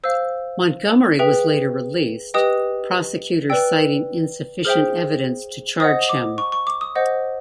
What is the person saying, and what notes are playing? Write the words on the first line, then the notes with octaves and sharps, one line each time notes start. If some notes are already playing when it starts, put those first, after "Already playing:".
Montgomery was later released, prosecutors citing insufficient evidence to charge him.
C5 F5 E6
G#4 B4 E5 G5
G4 B4 D#5 G5 D#6
B4 D5 G5 E6
G#4 C5 E5 G5 F6
C5 D#5 F#5 D#6
D6
C#6
C#6
D6
D#6
C5 D#5 F#5